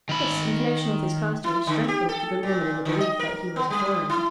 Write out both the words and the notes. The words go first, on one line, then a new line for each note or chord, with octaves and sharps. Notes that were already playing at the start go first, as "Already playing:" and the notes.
This, in connection with his costume, strengthened the good woman in the belief that he was a foreigner.
D#3 B5
E4
D3
G4
A4
A#2
D3
D#5
A#4
B3
G3
E4